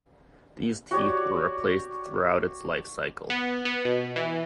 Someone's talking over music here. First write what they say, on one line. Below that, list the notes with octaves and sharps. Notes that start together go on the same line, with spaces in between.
These teeth were replaced throughout its life cycle.
F#4 G4 C#5 D5
B3
B3
B2
E3